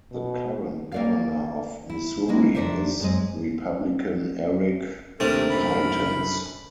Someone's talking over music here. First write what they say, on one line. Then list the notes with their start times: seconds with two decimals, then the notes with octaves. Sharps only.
The current governor of Missouri is Republican Eric Greitens.
0.11 B2
0.92 A#3 D5 F5
1.90 E4
2.28 G#3 A#3 E4
2.55 F2 C3 D4 A#4 C5 E5
3.00 F#2 G#3 C4 D#5
5.20 D#2 C3 A3 D4 A4 A#4 C5
5.50 F#2 B5